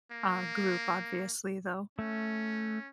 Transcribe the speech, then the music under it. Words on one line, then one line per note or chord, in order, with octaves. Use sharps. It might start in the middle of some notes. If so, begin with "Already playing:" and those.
uh, group, obviously, though.
A#3
A3 C#4